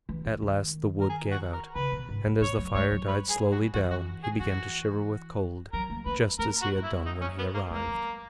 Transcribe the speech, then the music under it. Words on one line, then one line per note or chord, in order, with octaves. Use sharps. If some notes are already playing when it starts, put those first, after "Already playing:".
At last the wood gave out, and as the fire died slowly down he began to shiver with cold just as he had done when he arrived.
E3
D#3
D#3
A#4
G#4
F#4
A#4
C#3 B4
B2
G#2
F#2
A#2 C#5
F#3
G#3 C#5
F#3
B4
G#4
F#4
E3 F#4
F#4
G#4
E3 F#4
F#3 A#4
A#3
A#3 B4
A#3 A#4
F#4
E4
D#4
C#4
B3
A#3
G#3 A#3
F#3